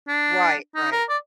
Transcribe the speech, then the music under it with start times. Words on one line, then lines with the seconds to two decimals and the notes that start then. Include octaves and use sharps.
Right, right.
0.08 D4
0.75 D#4
0.92 A#4
1.09 D5